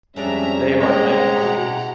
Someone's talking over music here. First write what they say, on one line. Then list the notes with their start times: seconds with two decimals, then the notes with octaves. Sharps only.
They are night hunters.
0.16 F2 G3 G#3 C#4 D4 E5 A#5
0.80 G#3 C4 G4 F#5 A#5
1.41 B2 E4 F#4